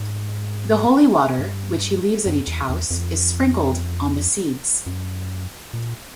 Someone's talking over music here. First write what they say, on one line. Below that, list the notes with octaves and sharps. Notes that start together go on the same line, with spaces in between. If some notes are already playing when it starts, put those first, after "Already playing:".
The holy water which he leaves at each house is sprinkled on the seeds.
Already playing: G#2
G2
F#2
E2
E2
F2
F#2
A#2